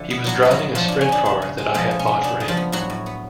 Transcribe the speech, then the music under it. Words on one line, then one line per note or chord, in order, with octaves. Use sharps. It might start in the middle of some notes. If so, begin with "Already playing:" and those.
He was driving a sprint car that I had bought for him.
Already playing: D3 F3 A3
B3
A2 F#3 F#4
A2 F4
F#3 F#4
B3
D3 F3 F4
D3 D4
C#4
B3 D4
C#3 D4
C#3
G#3
B2 F3 F4
B2
C#4
B3
C#3 D4
C#3
F3 F4
B3
A2 F#3 F#4
A2
B3